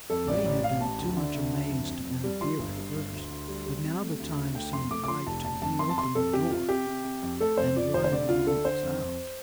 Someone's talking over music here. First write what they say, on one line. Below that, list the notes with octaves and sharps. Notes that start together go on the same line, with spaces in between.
Ray had been too much amazed to interfere at first, but now the time seemed ripe to reopen the door and drive the lynx out.
F2 A4
A1 D5
A1 D5
A1 F5
A1 A5
D2
D3
D2
D2
F2
F2
F2
G3
F3 C6
G1
G2
G1
D2
D2
G3
G3
C3
A3
D2
D2
A3 G5
F2 C6
A3 D6
D6
F3 C6
F1 A5
F1 A5
F2 A5
F2 C6
A5
C3 C6
F2 A4
C3 G4
C3 F4
C3 G4
C3
C3
F2
A3 A4
F2 C5
F3 D5
F1 C5
C5
D3 D5
D2 F4
D3 A4
D3 C5
F2
F2